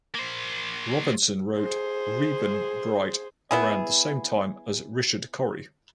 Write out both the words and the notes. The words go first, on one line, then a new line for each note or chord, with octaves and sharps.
Robinson wrote "Reuben Bright" around the same time as "Richard Cory".
A#3 C5
G#4 C5
B3 E4 G#4